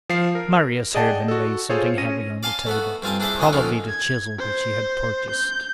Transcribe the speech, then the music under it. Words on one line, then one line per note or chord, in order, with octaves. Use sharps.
Marius heard him lay something heavy on the table, probably the chisel which he had purchased.
F3 F5 C7
A#4
G#4 D5 D#5 F#5 G5 A5
F#4 A4
F4 G#4 A4 C5 C#5
C#4 A#6 D#7
D5 F5 G#5 A5 C6
A3 B3 F#4
G2 C4 F4 G#5 A5
D4 E4 G#4 C5 D5 E5
C#2 G#3 B3 G#4 D#5 E5
D3 D#3 F3 C#4 D#4
G#6
C5
G6